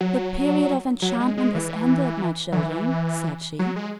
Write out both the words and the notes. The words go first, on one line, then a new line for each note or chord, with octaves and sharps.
"The period of enchantment is ended, my children," said she.
F#3
F#3
G#3
G#3
E3
F#3
E3
F#3
G#3